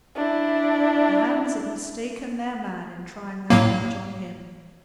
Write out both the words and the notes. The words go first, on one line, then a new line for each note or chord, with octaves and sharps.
The hands had mistaken their man in trying that dodge on him.
D4 E4
A2 F#3 A#3